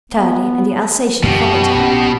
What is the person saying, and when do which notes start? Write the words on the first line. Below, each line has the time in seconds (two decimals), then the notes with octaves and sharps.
Turley, and the Alsatian Foggerty.
0.12 B3
1.23 F#2 B2 B3 G4
1.76 A#1 A2 C#4